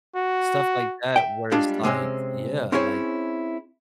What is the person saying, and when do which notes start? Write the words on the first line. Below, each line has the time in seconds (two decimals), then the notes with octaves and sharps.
stuff like that where it's like, yeah, like,
0.16 F#4
1.16 E5 G5
1.52 G3 G#3 D4 F4
1.83 C3 G#3 C4 C#4
2.72 C4 C#4 E4 G#4 C#5